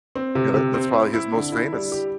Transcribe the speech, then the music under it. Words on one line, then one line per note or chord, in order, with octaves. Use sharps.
yeah, that that's probably his most famous.
C4
C3
C3
C4
E4
E4
D3
E4
G3
G4